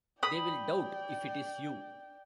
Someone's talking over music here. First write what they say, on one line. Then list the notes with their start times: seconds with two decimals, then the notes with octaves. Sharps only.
They will doubt if it is you.
0.23 D5 G5 B5 D#6